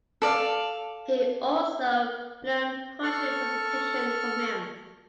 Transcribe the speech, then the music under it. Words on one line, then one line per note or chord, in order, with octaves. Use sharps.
He also learned poetry presentation from him.
A4 D5 F5
A4 C#6 F6